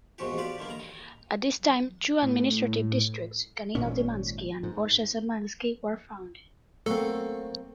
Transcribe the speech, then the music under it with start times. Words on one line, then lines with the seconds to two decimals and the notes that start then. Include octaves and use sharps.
At this time, two administrative districts, Canino-Timansky and Bolshezemelsky were founded.
0.18 A#1 F2 G#2 B2 F#4 G4
0.38 F4 G4 B4 D5
0.58 D3 D#3 G3 A#3
0.70 A#5
2.22 A2
3.75 G#1 A#2 C#4
4.63 G#2
6.86 F#3 A3 A#3 C4 F#4 A4